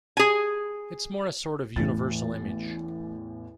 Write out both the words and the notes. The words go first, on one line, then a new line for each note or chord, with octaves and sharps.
It's more a sort of universal image.
G#4 G#5
A1 E2 E3 A3 A6